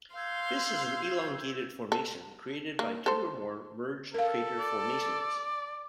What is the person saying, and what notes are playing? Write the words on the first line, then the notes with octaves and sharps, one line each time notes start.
This is an elongated formation created by two or more merged crater formations.
F5 C6 E6 G6 G#6
A4
A#3
A4 C5
A4 A#4 F5
D5